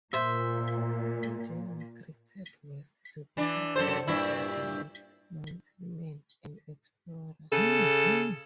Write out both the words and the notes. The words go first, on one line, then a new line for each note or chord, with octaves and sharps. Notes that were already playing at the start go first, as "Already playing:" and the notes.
He then migrated west to become a legendary "mountain man" and explorer.
A#2 C5 E5
E3 D4
F#2 A4 C5
G2 A#2 E4
C#3 A4